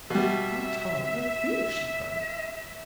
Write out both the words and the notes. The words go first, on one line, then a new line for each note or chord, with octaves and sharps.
"Our Tom a thief!" she cried.
B2 G3 E5